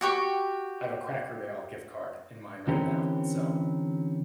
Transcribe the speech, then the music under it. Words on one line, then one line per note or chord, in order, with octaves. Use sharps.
I have a Cracker Barrel gift card in mine right now, so
F#4 G4 C#6
D3 E3 C4 C#4 G4 A#4